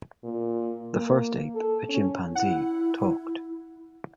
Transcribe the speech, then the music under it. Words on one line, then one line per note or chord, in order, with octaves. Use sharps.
The first ape, a chimpanzee, talked.
A#2
A#3
A4
C#4
E4 F#5